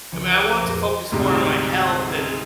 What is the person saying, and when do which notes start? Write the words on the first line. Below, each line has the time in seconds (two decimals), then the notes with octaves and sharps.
I mean, I want to focus more on my health and
0.12 C#2 F3 G#5 C#7
0.30 A#4 E5 F#5
0.61 F2 A#2 B3 C5 A#6
1.12 D2 G#2 C3 G3 G#3